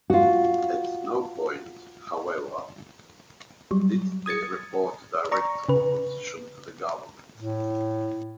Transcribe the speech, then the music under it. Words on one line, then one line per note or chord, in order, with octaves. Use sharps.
At no point, however, did they report direct opposition to the government.
F4 F#4
F#3 G3
D#6 G#6 A6 C#7
D5 A#5 C#6
C#3 B4
A2